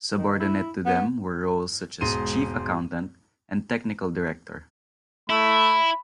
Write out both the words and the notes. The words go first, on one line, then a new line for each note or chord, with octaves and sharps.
Subordinate to them were roles such as "Chief Accountant" and "Technical Director".
D#3
E4
B3
E1 G#2 C6 D#7
A3 E4 B5